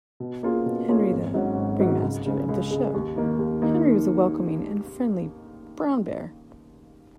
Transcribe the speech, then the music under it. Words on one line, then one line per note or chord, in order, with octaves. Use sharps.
Henry-The "ringmaster" of the show, Henry was a welcoming and friendly brown bear.
B2
A#3 C#4 F4 G#4
B2
A#3 C#4 F4 G#4
G#1
G#2 F#3 C#4 F#4
G#1
G#2 F#3 C#4 F#4
C#2
C#3 G#3
C#2
C#3 G#3
D#2
D#3 A#3 D#4
D#2
D#3 A#3 D#4